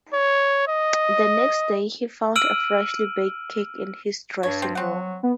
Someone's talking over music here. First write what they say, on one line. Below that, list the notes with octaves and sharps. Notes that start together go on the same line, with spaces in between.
The next day, he found a freshly baked cake in his dressing room.
C#5
D#5
E6 F6 D7 D#7 F#7
G2 C#5
C4
F#3 C4 F#5
B3